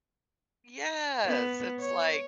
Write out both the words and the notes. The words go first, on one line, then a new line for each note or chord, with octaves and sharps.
Yes, it's like
B3
C#5